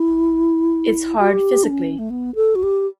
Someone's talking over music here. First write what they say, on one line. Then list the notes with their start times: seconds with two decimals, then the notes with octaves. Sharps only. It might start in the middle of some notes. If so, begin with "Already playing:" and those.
It's hard physically.
Already playing: E4
1.19 F#4
1.30 G4
1.64 D4
1.70 C#4
1.99 A3
2.10 B3
2.35 A4
2.55 F#4
2.63 G4